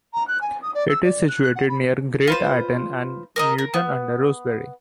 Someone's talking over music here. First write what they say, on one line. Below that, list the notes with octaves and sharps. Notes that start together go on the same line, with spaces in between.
It is situated near Great Ayton and Newton under Roseberry.
A#5
F#6
G#5
D#6
D5
E6
D5
F#6
F#6
F#5
B5
F4 B4 C5
A#4 D5 D#5
A#4
B3